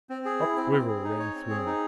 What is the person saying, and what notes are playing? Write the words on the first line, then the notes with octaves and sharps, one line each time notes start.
A quiver ran through me.
C4
G#4
E4
C4
C4
G#4
D#4
C#5
C4
G#4
D#4